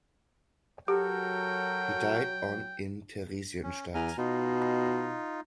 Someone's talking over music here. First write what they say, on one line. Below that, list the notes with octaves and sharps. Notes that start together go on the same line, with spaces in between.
He died on in Theresienstadt.
F#3 F#4 G4 A4 A#4 G5
C#4
E2 G#5 A#5 F6
B2 D#4 F4